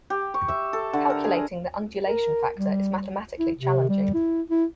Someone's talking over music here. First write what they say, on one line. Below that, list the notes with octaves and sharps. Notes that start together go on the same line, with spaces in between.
Calculating the undulation factor is mathematically challenging.
G4
C#6
E5
A4
D3
A#4
G#4
A#4
G3
E4
C3
G3
E4
E4